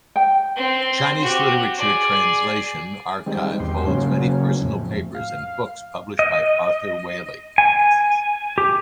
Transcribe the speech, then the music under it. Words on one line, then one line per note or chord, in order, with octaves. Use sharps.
Chinese Literature Translation Archive holds many personal papers and books published by Arthur Waley.
G5
C4
F#4 G4
G#4 D5
D#3 G3 G#3 C4
E2 G#2 G4 C6
C#3 F#3 A#3 C#4
F2 A2
F5
D#5
G#5
G4